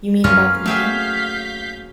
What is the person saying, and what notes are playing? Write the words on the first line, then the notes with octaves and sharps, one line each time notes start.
You mean about the man?
F#2 A#3 C#4 F4 B4 F6
F#3 A3 G4 G#4 F5 G6 B6